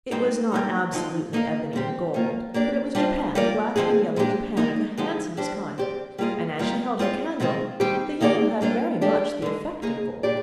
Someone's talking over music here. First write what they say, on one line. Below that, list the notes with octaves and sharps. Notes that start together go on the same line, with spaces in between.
It was not absolutely ebony and gold; but it was japan, black and yellow japan of the handsomest kind; and as she held her candle, the yellow had very much the effect of gold.
A#2 G3 C4 D#4
G3 A#3 D#4
D3 F3 C4 D#4
A#3 D#4 A#4 F5
A#2 G3 C4 G4
D#3 A#3 F4
A#3 D4 G4 D5
G3 D4 F4 C5 D#5
G3 A#3 F4 A#4 D5
D3 F3 C4 D#4 G#4
A#2 G#3 D4 G4
A#3 D#4 G4 D5
D3 F3 G#3 D#4 G4
G3 D4 G4 C5
C4 G4 D5
G3 A#3 F4 G#4 D#5
D#3 G3 A#3 F4
C4 F4 G#4 D5 F5
C3 D#3 G#3 C4 F4
D#3 G3 C4 G4
D#3 A#3 D#4 G#4 D5
G3 A#3 D4 F4 C5
D3 G#3 D4 G4 D5
D3 F3 G#3
A#3 D#4 G#4 D#5
A#2 G#3 D4 G4 D5